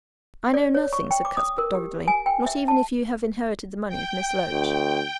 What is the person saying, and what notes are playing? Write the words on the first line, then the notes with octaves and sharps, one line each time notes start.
"I know nothing," said Cuthbert doggedly, "not even if you have inherited the money of Miss Loach."
D5
C#5
C#6
G5
D6
D#6
A#4
G4
G#5
G5
E5
A5
G5
D2